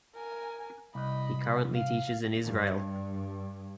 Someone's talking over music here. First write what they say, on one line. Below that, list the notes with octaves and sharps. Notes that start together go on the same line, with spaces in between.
He currently teaches in Israel.
A#4 G#5
C2 D#5 B5
F5
G2